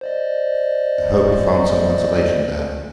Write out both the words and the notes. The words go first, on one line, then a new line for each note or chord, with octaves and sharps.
I hope he found some consolation there.
C5 D5 D#5